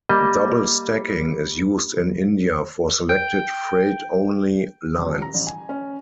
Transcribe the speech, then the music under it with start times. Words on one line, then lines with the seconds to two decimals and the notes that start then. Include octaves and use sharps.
Double stacking is used in India for selected freight-only lines.
0.09 G3 A#3 D#5
3.09 G5
4.98 D#1
5.22 A#5
5.34 A1
5.47 G#5
5.69 C#4